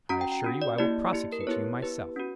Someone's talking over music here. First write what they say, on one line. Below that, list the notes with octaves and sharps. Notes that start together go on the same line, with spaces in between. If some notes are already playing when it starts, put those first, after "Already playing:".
I assure you I will prosecute you myself.
C#4 F#4 A#5
G5
G5
C#4 F#4
D5
A#3 E4 G4 D5
A#3 E4 G4
A#4
B4
B3 E4 G4 C#5
B3 E4 G4 B4
C#4 F#4